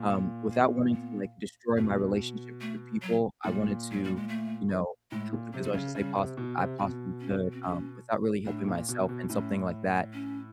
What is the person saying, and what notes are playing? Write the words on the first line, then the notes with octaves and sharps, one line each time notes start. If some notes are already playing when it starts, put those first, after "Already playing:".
um, without wanting to, like, destroy my relationships with people, I wanted to, you know, help them as much as they possi I possibly could, um, without really helping myself in something like that.
Already playing: A#2
B3
A#3
B3
B2 A3
A3
F#3
A#2 G3
F#3
G3
G#3
A3
A2 G#3
A#2
C3 F#3
G3
C#3 F#3
C#3 G3
C3
B2
C3
B2 C4
C#4
C4
C#4
A2 D4
A#2
B2
B2
A2 C#4
C#4